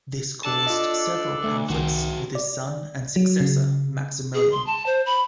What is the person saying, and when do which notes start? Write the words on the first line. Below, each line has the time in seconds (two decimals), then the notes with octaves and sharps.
This caused several conflicts with his son and successor Maximilian.
0.45 D4 A4 D5 A5
0.67 F4 D#5
1.44 D2 A3
1.70 C2 D#3 C4 F#4
2.35 D5
3.16 F#3
3.40 C#3
4.34 G#4
4.52 C6
4.67 A5
4.86 C5
5.06 B5